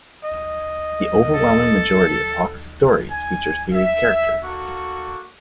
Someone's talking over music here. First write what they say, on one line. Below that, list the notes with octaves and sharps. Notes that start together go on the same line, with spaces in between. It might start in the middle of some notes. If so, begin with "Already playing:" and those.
The overwhelming majority of Hoch's stories feature series characters.
D#5
A4
G#5
E5
A#3 F#4 A4 C#6